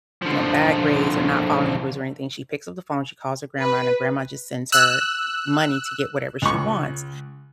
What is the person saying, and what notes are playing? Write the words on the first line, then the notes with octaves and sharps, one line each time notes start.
you know, bad grades or not following the rules or anything, she picks up the phone, she calls her grandma, and her grandma just sends her money to get whatever she wants.
D3 F3
B4
E6 F#6
C#2 C#6